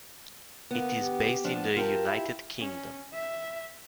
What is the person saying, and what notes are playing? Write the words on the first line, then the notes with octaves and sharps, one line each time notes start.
It is based in the United Kingdom.
D3 A#3 B3
G4
F3 B3 D4
F4 G4 A#4 A5
E4
C#4
E5